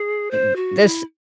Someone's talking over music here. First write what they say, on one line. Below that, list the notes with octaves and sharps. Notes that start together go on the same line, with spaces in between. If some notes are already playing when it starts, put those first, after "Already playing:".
and this
Already playing: G#4
C5
F#4
E4